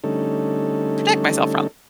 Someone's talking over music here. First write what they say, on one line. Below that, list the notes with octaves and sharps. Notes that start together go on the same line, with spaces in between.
protect myself from.
D3 G3 A3 C#4 D#4 A4